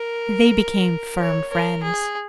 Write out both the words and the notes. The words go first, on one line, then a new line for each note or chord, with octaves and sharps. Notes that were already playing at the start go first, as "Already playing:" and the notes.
They became firm friends.
Already playing: A#4
C#5
A#4
G#4